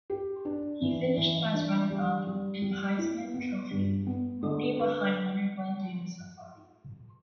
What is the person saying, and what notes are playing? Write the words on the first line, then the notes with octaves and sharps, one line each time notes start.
He finished as runner-up in Heisman Trophy voting behind winner Glenn Davis of Army.
G4
D4
E3
E3
D4
G3
G3
G3
E4
B3
G2
B3
D3
B4